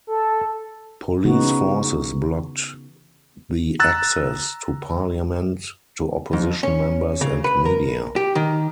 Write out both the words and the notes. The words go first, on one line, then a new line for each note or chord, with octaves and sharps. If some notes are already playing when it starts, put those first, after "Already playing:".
Police forces blocked the access to parliament to opposition members and media.
A4
C#3 E3 B3 D#4 F#4
A#5 E6 F#6 A6
F2
C#4
C#3
B4
A#4
G4
D#3